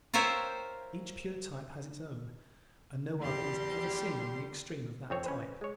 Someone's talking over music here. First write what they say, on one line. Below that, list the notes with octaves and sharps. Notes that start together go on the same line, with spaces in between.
Each pure type has its own and no other is ever seen on the extreme of that type.
F4 A#4 C5 C#5 E5 G5
E2 G3 G4 C6
F2 C4 C#5
C#4 B4 C5
G#3 C#5